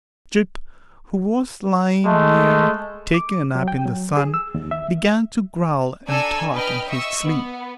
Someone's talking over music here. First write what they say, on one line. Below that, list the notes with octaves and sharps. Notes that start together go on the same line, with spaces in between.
Jip, who was lying near taking a nap in the sun, began to growl and talk in his sleep.
G#3 A3
D6
F#3
G5
F#3
G#4
E6
D#2
E5
D4 A4 G#5 A#5 E6
B4 D#5 G5 F6
D#5 E5 C#6 E6
B3